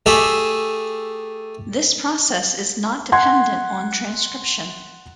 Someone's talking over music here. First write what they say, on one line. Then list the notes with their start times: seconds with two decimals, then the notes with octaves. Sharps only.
This process is not dependent on transcription.
0.06 A3 G4 G#4 E5
3.12 F#5 C6 G#6